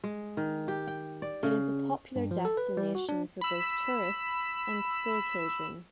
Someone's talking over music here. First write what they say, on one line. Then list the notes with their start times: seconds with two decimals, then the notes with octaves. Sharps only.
It is a popular destination for both tourists and schoolchildren.
0.04 G#3
0.37 D#3
0.68 G4
0.87 G5
1.22 D5
1.43 C#3
2.16 G2
2.31 F3
2.45 A4
2.57 B4
2.77 G3
2.95 F#4
3.09 D4
3.41 B5 E6